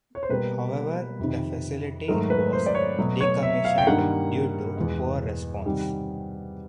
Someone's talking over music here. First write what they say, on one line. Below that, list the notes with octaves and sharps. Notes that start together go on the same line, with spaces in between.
However the facility was decommissioned due to poor response.
C#5
C5
B2 G3 A#3 B4
F2 C3 D#3
G#2 D#3 F#3 A3 A#4
B4
C5
D5
C#5
B2 F#3 A3
C#5
E5
F5
G5
G2 D#3 G3 A#3 F#5
E2 B2 G#3
C3 D#3 G3